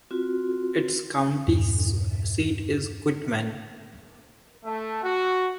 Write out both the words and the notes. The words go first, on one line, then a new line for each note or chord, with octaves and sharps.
Its county seat is Quitman.
C4 F4 F#4
E2 G2 A#2 D4
A3
F#4